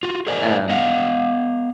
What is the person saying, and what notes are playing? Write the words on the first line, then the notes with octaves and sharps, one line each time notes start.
t um,
F4 F#4
G#4 A#4 C5 D5 D#5 G#5
B3 D#5 F5 F#5